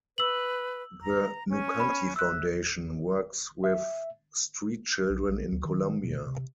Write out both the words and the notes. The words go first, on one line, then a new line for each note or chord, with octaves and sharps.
The Nukanti Foundation works with street children in Colombia.
B4 E6 F#7
A#5
C#4
B5
E5 E6 F#6
E5
B1
A#1
D2
D#3
B2
C3